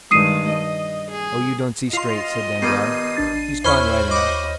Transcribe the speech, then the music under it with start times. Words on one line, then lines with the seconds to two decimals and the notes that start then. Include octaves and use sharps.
"Oh, you don't see straight," said Danglars; "he's gone right enough."
0.11 G2 D#3 G#3 D#6 C7 D#7
0.48 D#5
1.11 G#4
1.93 F4 D#5 C6
2.62 G2 D#3 B3 C7 D#7
3.17 A1 D4 A6
3.64 D#2 C#4 E4 C5 C#5 B5 C#6 F6
4.11 D#5 F#5 D6